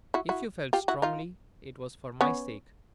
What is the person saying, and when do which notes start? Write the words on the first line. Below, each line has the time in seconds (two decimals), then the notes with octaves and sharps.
If you felt strongly, it was for my sake.
0.14 E4 F#4
0.29 E4 F#4
0.73 F4 G4
0.88 E4 F#4
1.02 D#4 F4
2.21 B3 C#4